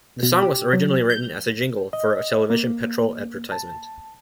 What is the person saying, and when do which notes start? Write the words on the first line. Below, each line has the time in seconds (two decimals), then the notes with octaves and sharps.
The song was originally written as a jingle for a television petrol advertisement.
0.23 B2
0.43 G4
0.73 F#3
1.10 G6
1.93 D#5
2.50 A#3
3.52 A5